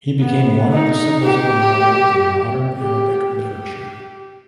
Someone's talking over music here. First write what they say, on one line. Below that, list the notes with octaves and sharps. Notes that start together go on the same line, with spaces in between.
He became one of the symbols of the novel in modern Arabic literature.
B3
D#4
G4
G4
G4